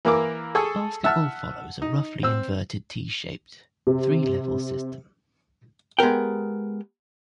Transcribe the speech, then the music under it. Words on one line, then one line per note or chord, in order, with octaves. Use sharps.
Basketball follows a roughly inverted-T-shaped three-level system.
E3 A#3 A#4 D6
G#4 A4 G#5 C#6 E6
E5 F#5 A5 E6 F6
D#4
C4 E6
C3
G#3 B3 G4 A#4 G5